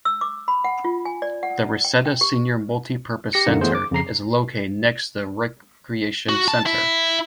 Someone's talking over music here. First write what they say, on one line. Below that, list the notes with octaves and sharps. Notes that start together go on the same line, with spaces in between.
The Reseda Senior Multipurpose Center is located next to the Recreation Center.
E6
D6
B5
F#5
F4
G#5
D5
F#5
G5
G5
G4
G4 A#6 C#7
F#2 D3 A#3 D#4
E3 A3 B3 G#4 C5
D6
F2 C#3 A#5 C7
F#4
A5
E4